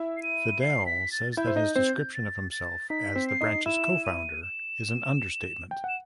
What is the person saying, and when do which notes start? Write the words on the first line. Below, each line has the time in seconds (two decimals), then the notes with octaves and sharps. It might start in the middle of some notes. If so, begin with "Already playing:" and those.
Fedele says that his description of himself as the branch's "co-founder" is an understatement.
Already playing: E4 E5
0.17 C7
0.23 D#7
0.61 C7
0.86 B6
1.12 A6
1.32 A6
1.37 E4 E5 G6
1.47 C5
1.56 D#4 D#5
1.76 C4 C5
2.14 A6
2.52 A6
2.90 D#4 D#5 B6
3.16 C4 C5
3.28 C7
3.41 D#4 D#5
3.66 E4 E5 E7
4.05 D#7
4.43 E7
5.71 G5
5.84 F#5 E7